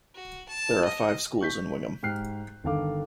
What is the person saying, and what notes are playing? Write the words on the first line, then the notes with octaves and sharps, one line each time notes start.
There are five schools in Wingham.
F#4
A5
D#5
C#6 G6 B6
G#2 G4 G5 F6 F#6 C7
G1 D3 D#3 A4 F5 D6